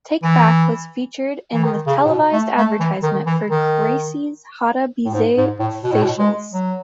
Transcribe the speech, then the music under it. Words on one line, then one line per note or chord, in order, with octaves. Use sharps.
"Take Back" was featured in the televised advertisement for Kracie's Hada-bisei facials.
E3
E3
D#3
C#3
A2
B2
A3
A3
E3
D#3
E3
D#3
A2
G#2
G#2
A2
B2
A2
B2
G#3
F#3